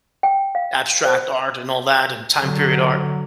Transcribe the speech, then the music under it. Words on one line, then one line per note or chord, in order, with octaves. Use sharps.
abstract art and all that and time period art.
G5
F5
C5
D3 F#3